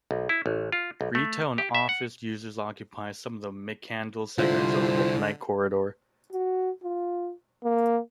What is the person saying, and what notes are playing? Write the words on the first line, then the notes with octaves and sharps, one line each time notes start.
Retail and office uses occupy some of the McCandless segment of the McKnight corridor.
B1
E4
A1
F4
B1
A3
G4
E5
F#5
C2 D3 E4 F4 C5
F#4
F4
A#3